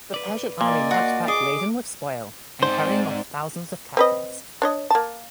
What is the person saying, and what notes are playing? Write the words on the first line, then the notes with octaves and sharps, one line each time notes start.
The Persian army marched back laden with spoil and carrying off thousands of captives.
B4 D5
A#2 A#3 D5 D#5
F#4 C6
G#4 D#5 D6
G#2 C4 D#4 C5 D5
C4 B4 D#5
D4 C#5 D#5
A#3 A5